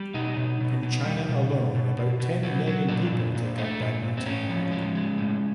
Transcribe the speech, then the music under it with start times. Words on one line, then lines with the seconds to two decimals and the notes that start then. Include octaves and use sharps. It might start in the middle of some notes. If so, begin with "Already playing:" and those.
In China alone about ten million people take up badminton.
Already playing: G3
0.14 B2 D#4
0.37 B2
0.61 B2
0.83 B2
1.05 G3
1.29 B2
1.51 B2
1.75 B2
1.97 B2
2.20 B2
2.43 F#3
2.66 F#3
2.88 A#2 D4
3.12 A#2
3.35 A#2
3.58 A3
3.81 A#2
4.03 A#2
4.17 C4
4.26 A2 C#4
4.49 F3
4.71 G#3
4.95 G#3
5.18 A2